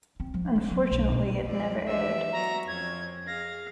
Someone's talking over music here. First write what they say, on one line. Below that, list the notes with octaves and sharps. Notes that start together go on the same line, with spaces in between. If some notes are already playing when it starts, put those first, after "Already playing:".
Unfortunately it never aired.
C4
F3
D#4
F#3
B1
B2
F2 C4 D5
E3 D4 G4 E5
F#3 B3 C#5 A#5
F2 C#4 C#5 G#6
G#4 F5 A#6